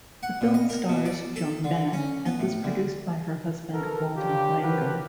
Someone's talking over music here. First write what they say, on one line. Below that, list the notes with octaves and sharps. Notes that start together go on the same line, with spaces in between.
The film stars Joan Bennett and was produced by her husband Walter Wanger.
F#5
A#2
D#5
A#4
B2
D5
A4
D3
C#4
B3
A2
D2
B2 B3 A4 A#4
C#3 D4 F4 G4
F3 F#3 F#4 G4 A#4 B4